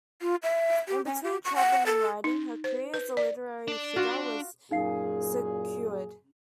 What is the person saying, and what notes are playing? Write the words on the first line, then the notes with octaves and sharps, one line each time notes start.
In between traveling and writing, her career as a literary figure was secured.
F4
E5
G4
C#4
G4
C#6
F#5
A4
D#4
C5
B4
D5
D4 D5
F4 F#4
F#2 A#2 D#4 G#4 F5 C7